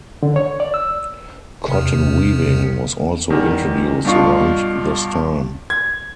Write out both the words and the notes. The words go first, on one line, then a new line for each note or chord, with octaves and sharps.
Cotton weaving was also introduced around this time.
D3
C#5
D5
E6
E2 C3
E2 D#3 G3
G2 B2 D4 F4 C#6
G#6